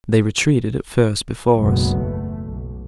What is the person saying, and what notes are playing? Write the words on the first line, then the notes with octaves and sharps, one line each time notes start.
They retreated, at first, before us.
F#1 B1 F#2 B2 G#3 B3
E2 A3
B1